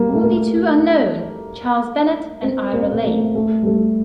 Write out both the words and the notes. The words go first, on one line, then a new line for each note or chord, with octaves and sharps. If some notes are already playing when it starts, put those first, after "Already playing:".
Only two are known: Charles Bennett and Ira Lane.
Already playing: G3 A#3
A3
A#3
C4
A#3
C4
A#3
A3
A3
G3
A3